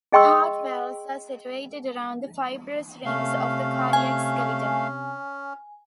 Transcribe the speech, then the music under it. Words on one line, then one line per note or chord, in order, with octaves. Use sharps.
Heart valves are situated around the fibrous rings of the cardiac skeleton.
G#4 D#5 G5 C6 C#6 E6
C3 A3 C#4 F5
G#5